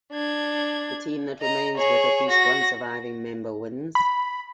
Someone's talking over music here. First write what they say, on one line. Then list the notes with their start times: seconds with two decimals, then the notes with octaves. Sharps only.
The team that remains with at least one surviving member wins.
0.12 D4 G#6
1.41 D#5 A#5
1.78 G#4 C#5
2.28 F#4 A#6
3.95 B5